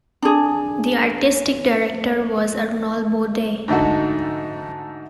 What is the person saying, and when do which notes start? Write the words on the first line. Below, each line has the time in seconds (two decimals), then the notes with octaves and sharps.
The artistic director was Arnold Bode.
0.22 D4 G#4
3.68 G#2 D3 A3 D#4 F#4